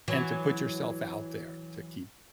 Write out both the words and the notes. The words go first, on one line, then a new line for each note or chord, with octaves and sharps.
and to put yourself out there to keep,
E3 F#3